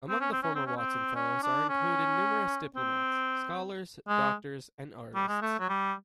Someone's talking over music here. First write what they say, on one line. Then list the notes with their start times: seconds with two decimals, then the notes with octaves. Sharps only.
Among the former Watson Fellows are included numerous diplomats, scholars, doctors, and artists.
0.09 C4
0.21 C#4
0.32 C4
0.43 C#4
0.55 C4
0.66 C#4
0.77 C4
1.15 C#4
1.42 D4
1.69 C#4
2.76 C4
4.08 G#3
5.15 G3
5.28 G#3
5.42 A3
5.60 F#3
5.69 G3